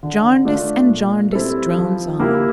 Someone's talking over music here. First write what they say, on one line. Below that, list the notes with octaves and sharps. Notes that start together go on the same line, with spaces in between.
Jarndyce and Jarndyce drones on.
D3
A3 D4 F4
A#2
G3 C4 E4 A4
F3
A#3 E4 G4